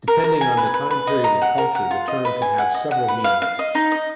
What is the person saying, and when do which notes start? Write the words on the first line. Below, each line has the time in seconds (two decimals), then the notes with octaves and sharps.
Depending on the time period and culture, the term can have several meanings.
0.08 A#4
0.24 A#4
0.41 G#5
0.57 B4
0.74 B4
0.91 B4
1.07 D#5
1.24 A#5
1.42 F#5
1.58 A#4
1.75 F#5
1.91 F4
2.08 D#5
2.25 B4
2.42 G#5
2.58 F#5
2.74 D#5
2.91 F#5
3.08 B4
3.24 F5
3.42 F5
3.59 D#5
3.75 D#4
3.92 D#5